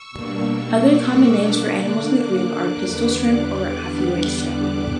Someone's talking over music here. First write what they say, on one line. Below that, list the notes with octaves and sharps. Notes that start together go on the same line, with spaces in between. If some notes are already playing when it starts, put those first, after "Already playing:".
Other common names for animals in the group are pistol shrimp or alpheid shrimp.
Already playing: C#6 E6
B2 G3 A#3 D4
D6 F#6
D3 A#3 D4 D6 F#6
D6 F#6
E2 D3 G3 B3 D4 D6 F#6
D6 F#6
D6 F#6